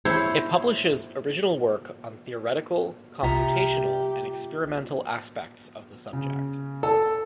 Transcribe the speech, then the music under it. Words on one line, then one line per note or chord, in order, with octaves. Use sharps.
It publishes original work on theoretical, computational, and experimental aspects of the subject.
E4 C5 C#5
C2 F4 G4 E5 A#5
C#3
A4